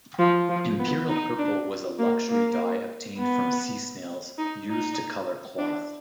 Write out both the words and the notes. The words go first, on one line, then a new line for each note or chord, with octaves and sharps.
Imperial purple was a luxury dye obtained from sea snails, used to colour cloth.
F3
F3
B3
D#4
D4
A#3
A#3
B3
D#4
D#4
D4